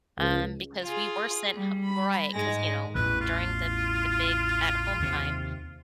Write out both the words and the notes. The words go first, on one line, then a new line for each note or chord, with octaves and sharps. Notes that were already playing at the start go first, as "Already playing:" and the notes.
um, because we were sent h mo right, 'cause, you know, during the the big at home time,
C#2
F4 G#4
G3
B5
G#2 G#3 A#6
A1 E2 B4
F4
D#2 C3